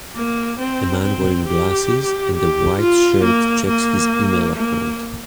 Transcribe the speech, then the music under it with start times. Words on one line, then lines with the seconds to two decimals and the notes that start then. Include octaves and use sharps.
A man wearing glasses and a white shirt checks his email account.
0.15 A#3
0.59 C4
1.03 C4
1.48 G4
2.36 G4
2.79 F4
3.23 A#3
3.68 A#3
4.55 A#3